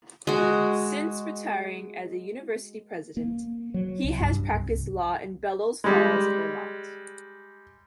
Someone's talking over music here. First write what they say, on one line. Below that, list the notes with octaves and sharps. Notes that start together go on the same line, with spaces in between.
Since retiring as University President, he has practiced law in Bellows Falls, Vermont.
G#3 F#4
A#3
F#3
C2
G2
C2
G3 G#3